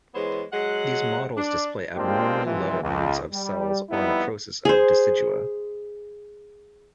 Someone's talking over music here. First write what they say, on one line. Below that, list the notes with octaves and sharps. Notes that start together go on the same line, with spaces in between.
These models display abnormally low amounts of cells or necrosis of decidua.
E3 G#3 B3 C5 C#5
F#3 G#3 F#5
D4
G#3 A#3 C4 D4 F4 G4
G#2 C3 E3 F3
C#2
G3
F2 G3 B3 D#4 E4
G#4 C5